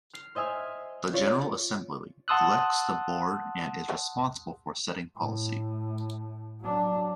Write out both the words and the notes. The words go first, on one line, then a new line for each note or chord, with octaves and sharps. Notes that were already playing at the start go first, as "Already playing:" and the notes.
The General Assembly elects the Board and is responsible for setting policy.
F6 C7
C5 D#5 E5 G#5 F6
C#4 F4 C#5 D5
F#5 A5 C6 D#6 E6 F#6
A2
F#3 D4